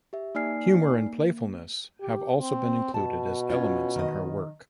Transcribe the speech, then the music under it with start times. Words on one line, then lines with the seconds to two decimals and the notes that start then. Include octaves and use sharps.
Humor and playfulness have also been included as elements in her work.
0.13 G4 E5
0.35 A#3 D#4 D5 G#5 F6 C7
1.06 A#3
2.01 G4
2.40 C4
2.94 B2 A5
3.50 C#4 F4
3.96 D#3 D#5